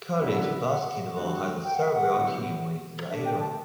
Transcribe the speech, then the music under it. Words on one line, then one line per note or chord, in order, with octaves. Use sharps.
College basketball has several teams in the area.
F#2 D3 G3 B3 E4 E5
F#5
E5
E5
F#5
G2 D3 A3 C4 F#4
G5
F#5
E5
F#5
D3 F#3 B3 E4 G4
D3 A3 D4 A4 E5
G5
A5